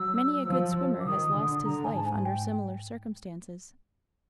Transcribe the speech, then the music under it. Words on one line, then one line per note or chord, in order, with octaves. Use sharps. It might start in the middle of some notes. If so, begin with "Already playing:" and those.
Many a good swimmer has lost his life under similar circumstances.
Already playing: F#3 E6
F3
D6
D#3 D#6
D3
D3 A#5
G#5
G#2 A5
G#5
G5